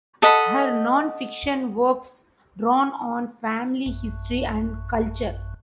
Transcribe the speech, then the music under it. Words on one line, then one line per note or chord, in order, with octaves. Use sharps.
Her nonfiction works draw on family history and culture.
A4 D#5 F#5 B5
A1 F#2